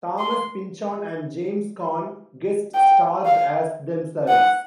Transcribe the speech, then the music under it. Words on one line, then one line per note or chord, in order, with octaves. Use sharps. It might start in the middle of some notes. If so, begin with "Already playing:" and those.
Thomas Pynchon and James Caan guest starred as themselves.
C6
G5
F5
F#5